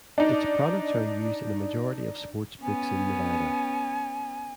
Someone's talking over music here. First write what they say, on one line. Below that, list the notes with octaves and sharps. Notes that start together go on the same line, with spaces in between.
Its products are used in a majority of sportsbooks in Nevada.
D4 D#4
B3 C#4 G#5